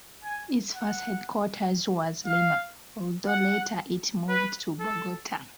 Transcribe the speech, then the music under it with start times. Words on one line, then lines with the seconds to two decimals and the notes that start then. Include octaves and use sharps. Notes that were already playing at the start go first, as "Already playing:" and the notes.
Its first headquarters was Lima, although later it moved to Bogota.
0.24 G#5
0.74 F#5
2.26 F5
3.27 F#5
4.29 B4
4.80 A4